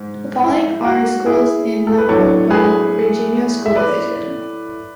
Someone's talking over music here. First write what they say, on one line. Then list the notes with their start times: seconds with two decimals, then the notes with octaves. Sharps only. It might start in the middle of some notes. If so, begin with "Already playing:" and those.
The following are schools in the Hopewell, Virginia school division.
Already playing: G#2
0.43 E4
0.85 F#4
1.26 E4 G#4
1.87 A4
1.98 B4
2.09 A2 F#3 A3 D4 A4 C#5
2.50 G#4 B4
3.66 E5
3.76 B4 D5